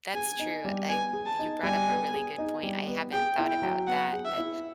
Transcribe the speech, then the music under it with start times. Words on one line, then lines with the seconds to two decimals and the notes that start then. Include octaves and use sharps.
That's true, I you brought up a really good point, I haven't thought about that, but
0.14 G#4 G#5
0.39 D#4
0.65 G3
0.89 B3 G#5
1.13 G#4
1.26 A5
1.39 D#4
1.63 G3 G#5
1.89 B3
2.14 G#4
2.38 D#4
2.63 G3
2.87 B3
3.13 G#4 G5
3.38 E4
3.50 G5
3.62 F#3
3.87 B3 F#5
4.13 G#4
4.25 E5
4.37 E4